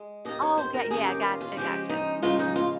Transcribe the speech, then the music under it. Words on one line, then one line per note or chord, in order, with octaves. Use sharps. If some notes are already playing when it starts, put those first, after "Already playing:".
Oh, 'kay, yeah, I gotcha, gotcha. Mhm.
Already playing: G#3
D#2 D#3 A#3 D#5
C#5
C5
A#4
D#2 D#3 A#3 C#4 G#4
G4
F4
F4
C#3 F3 G#3 G4
D#4
C#3 F3 G#3 D#4 F4
D#4
F4